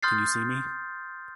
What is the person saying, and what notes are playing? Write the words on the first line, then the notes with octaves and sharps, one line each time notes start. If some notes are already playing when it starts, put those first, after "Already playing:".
Can you see me?
C6 D#6 F6 G6 A6 C7